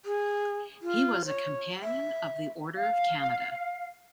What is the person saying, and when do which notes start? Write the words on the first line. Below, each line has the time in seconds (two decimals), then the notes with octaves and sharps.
He was a Companion of the Order of Canada.
0.05 G#4
0.82 F4
1.25 C#5
1.83 E5
2.74 F5